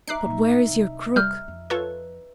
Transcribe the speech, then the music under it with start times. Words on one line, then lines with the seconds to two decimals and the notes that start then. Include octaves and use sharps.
"But where is your crook?"
0.08 D#4 E5 D6 F#6 C7
0.23 A#2 A#3
0.67 C2
1.16 G3 F6 G6
1.48 F2
1.70 F4 A4 B4 C#5